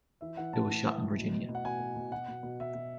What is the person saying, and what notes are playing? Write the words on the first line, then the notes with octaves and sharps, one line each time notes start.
It was shot in Virginia.
E3 E5
E3 F#5
A2 A5
A2
E3
A2
B2
B2
B2
F#5
B2 G#5
B2
B2
B2 F#5
B2
B2
B2 E5
B2